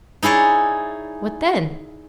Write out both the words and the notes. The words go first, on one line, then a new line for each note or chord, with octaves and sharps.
"What then?"
D#4 E4 G#4 C#5 D5